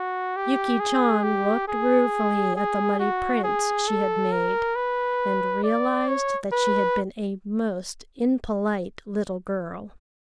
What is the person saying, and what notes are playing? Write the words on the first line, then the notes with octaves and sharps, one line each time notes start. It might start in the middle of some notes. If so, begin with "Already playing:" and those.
Yuki Chan looked ruefully at the muddy prints she had made and realized that she had been a most impolite little girl.
Already playing: F#4
G4
G#4
G4
G#4
G#4
F#4
G#4
A4
A#4
B4
D5
C#5
B4